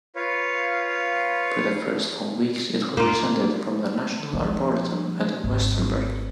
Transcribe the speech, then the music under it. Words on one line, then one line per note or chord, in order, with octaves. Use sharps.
For the first four weeks it was presented from the National Arboretum at Westonbirt.
F4 B4 C#5 F5
A#3 F4
F3
G#1